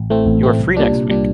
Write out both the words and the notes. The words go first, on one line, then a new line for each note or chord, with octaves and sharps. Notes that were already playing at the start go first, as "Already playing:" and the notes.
You are free next week.
Already playing: A1
A2 A3 C4
A1
A2 A3 C4
C2
A#2 G3 D4
C2
A#2 G3 D4